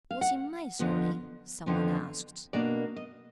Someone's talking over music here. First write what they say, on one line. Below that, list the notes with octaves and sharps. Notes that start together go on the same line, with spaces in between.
"Was he miserly?" some one asked.
F5
F#5
F2 D3 F3 B3
F2 D3 F3 B3
B2 A#3 D4 D5
D#5